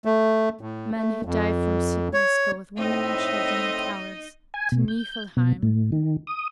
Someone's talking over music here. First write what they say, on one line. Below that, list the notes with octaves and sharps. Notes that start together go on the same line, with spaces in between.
Men who die from sickness go with women and children and cowards to Niflheim.
A3
A2
A3
F2
C#5
A2 C4 D#4 D#5 E5
G#5
B2
G6
B2
A2
D#3
D#6